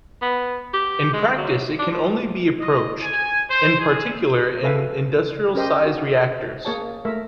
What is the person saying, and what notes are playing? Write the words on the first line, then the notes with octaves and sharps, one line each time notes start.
In practice it can only be approached, in particular in industrial size reactors.
B3
G4
G#3
F#3
D4
F3
D#5
G#5
C5
G#4
A4 B4 E5 F5 G#5
C#4 G4 A#4 C5 D#5
F#4
A#3 G#4 C#5 A5
A3 A#4 E5